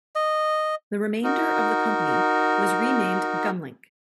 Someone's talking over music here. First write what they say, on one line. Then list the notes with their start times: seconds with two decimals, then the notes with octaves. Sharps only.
The remainder of the company was renamed Gumlink.
0.16 D#5
1.24 D#4 F#4 A#4